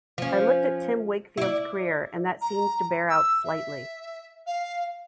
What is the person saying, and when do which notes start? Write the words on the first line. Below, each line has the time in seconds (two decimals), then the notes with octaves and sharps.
I looked at Tim Wakefield's career and that seems to bear out slightly.
0.18 F3 C#4
1.37 E4 D5
2.41 A#5
3.09 E6
3.44 E5
4.46 F5